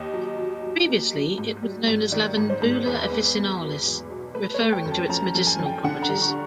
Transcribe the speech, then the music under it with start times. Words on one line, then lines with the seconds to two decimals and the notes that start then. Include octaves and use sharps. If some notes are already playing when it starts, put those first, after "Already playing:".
Previously, it was known as "Lavandula officinalis", referring to its medicinal properties.
Already playing: D#2 D#5
0.14 F#3
0.39 F#3
0.63 F#3
0.88 A#3
1.13 F#3
1.38 G#2
1.63 G3
1.88 G#2
2.12 D#3 D5
2.37 G#2
2.50 C5
2.62 G#2
2.86 E2 B4
3.11 B3
3.36 B3
3.61 F#3
3.85 E2
4.10 B2
4.35 A3 B4
4.54 C#5
4.60 A3
4.73 G5
4.85 F#2
4.91 A5
5.09 F3 A#5
5.35 F3
5.47 G#5
5.59 F3
5.66 G5
5.84 D3 F#5
6.02 A#5
6.09 G3
6.22 C#6